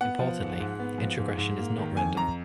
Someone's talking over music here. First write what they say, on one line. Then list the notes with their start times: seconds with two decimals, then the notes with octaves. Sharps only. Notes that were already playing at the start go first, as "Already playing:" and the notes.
Importantly, the introgression is not random.
0.01 B3 F#5
0.20 F3
0.40 G#2
0.60 G#2
0.80 B3
0.98 F3
1.18 G#2
1.38 G#2
1.58 A#3
1.78 D#3
1.97 F2 G#5
2.16 F2 A#5